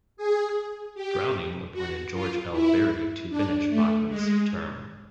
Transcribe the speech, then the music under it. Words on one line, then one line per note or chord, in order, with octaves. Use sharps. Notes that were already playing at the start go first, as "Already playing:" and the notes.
Browning appointed George L. Berry to finish Bachman's term.
G#4
G4
F#4
F4
E4
D4
A3
G#3